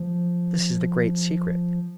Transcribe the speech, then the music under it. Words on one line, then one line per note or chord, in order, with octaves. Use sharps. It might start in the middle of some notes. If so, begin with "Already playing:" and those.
This is the great secret.
Already playing: F3